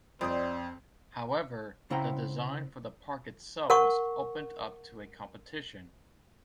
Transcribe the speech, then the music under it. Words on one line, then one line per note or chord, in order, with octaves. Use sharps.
However the design for the park itself was opened up to a competition.
F2 C4 C5 D5 D#5 D#6
C#3 C4 E4 F#5 G5 A#5
A#4 F#5 C#6